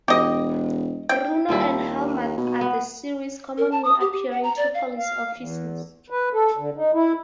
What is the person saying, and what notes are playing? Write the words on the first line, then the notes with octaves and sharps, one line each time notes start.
Bruno and Helmut are the series' commonly appearing two police officers.
E1 G4 D#5
G5
D#2 F3 G3 E4
B2
B3
A#4
A5
D#6
G4
G4
F#5
A#5
D5
F5
F5
E2
B4
A4
D3
D#4
E4